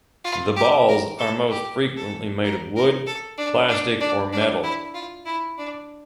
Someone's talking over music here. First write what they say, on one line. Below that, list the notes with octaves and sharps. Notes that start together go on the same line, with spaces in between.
The balls are most frequently made of wood, plastic, or metal.
F4
G4
A#4
A4
G4
A4
A#4
A#4
A4
D4
D4
D4
D4
E4
F4
E4
D4